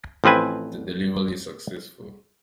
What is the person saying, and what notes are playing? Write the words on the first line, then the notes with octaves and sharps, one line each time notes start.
The delivery is successful.
A1 F3 C4 B4 G#5